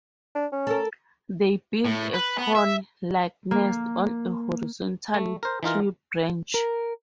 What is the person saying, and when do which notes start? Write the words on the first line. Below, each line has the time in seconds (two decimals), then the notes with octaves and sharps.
They build a cone-like nest on a horizontal tree branch.
0.35 D4
0.52 C#4
0.67 A4 A#4
1.86 A2
2.15 B4
2.38 B3
2.55 E5
3.51 A#3
5.14 A3
5.43 A#4 C5
5.63 E3 D#4 F4 A#4
6.54 A#4